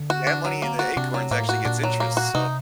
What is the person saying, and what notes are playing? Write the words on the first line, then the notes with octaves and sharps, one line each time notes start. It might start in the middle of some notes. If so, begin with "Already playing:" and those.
that money in the acorns actually gets interest, so
Already playing: D3
F#4
D4
F#3
A#3
F#4
C3 D4
F#3
A2 A#3
F#4
A#2 D4
F#3
A#3
F#4
C3 D#4